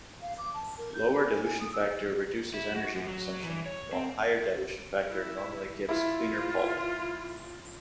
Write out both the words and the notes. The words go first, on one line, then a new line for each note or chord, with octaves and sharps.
Lower dilution factor reduces energy consumption, while higher dilution factor normally gives cleaner pulp.
F5
D6
A5
A#4
G6
B5
G#5
G#5
D#6
E6
E4
F#4
F#2
F#3
E3
C#5
C4
E4
E4 F4